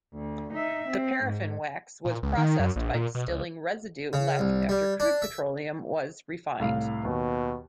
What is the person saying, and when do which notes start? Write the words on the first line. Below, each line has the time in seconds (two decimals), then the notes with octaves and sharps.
The Paraffin wax was processed by distilling residue left after crude petroleum was refined.
0.14 D2
0.54 D#4 E5
0.89 C4
1.24 G#2
2.05 A#2
2.23 C#2
2.37 D#3
2.59 F#2
2.76 A#1
2.94 A#2
3.15 B2
3.28 C#2
4.13 C#3
4.39 C2
4.69 G3
5.00 D4
5.22 E5
6.60 C2 A2 F5
7.04 D#2 B2